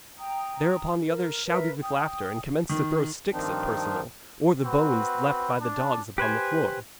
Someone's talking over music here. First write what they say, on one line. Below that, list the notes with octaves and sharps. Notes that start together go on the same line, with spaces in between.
Thereupon the others shouted with laughter, and commenced to throw sticks at Perceval, or the bones left by the dogs upon the floor.
G5 A#5 D#6
A#4
A#4 B4 E5
G5 D#6
D#3
G2 D#3 F3 C4 D4 D#4
C4 F#4 B4
D4
G4 B4 C5 G#5